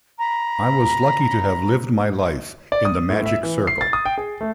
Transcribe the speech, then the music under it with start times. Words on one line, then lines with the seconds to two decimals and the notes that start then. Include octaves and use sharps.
I was lucky to have lived my life in The Magic Circle.
0.19 A#5 B5
2.72 D5
2.85 D#6
3.09 A2
3.26 E5
3.43 E3
3.67 C7
3.81 A6
3.93 D#6
4.05 G5
4.18 G#4
4.41 A3